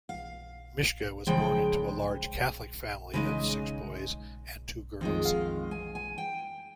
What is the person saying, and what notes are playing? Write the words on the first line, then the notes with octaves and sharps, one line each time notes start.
Mischke was born into a large Catholic family of six boys and two girls.
F5
C#3 F3 G#3 G5
C#3 G#3 D#4 G#5
F2 D#3 G#3
F5
G#5
G#5
G5